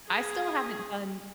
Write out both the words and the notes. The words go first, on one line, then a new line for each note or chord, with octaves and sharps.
I still haven't done
G#4